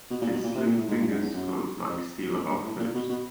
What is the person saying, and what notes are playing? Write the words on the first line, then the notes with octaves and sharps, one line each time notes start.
His slim fingers closed like steel about Philip's.
B2
A#2
B2
A#2
C3
A#2
A2
G#2
G2
F#2
E2
F#2
F2
F#2
G2
A2
A#2
B2
B2